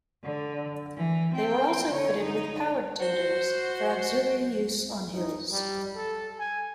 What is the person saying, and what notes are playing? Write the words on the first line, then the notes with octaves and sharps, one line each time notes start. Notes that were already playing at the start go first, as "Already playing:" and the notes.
They were also fitted with powered tenders for auxiliary use on hills.
D3
E3
C4 G5
D3 C#5
D#4
F#4 C5
D#4
G3
A4
G#5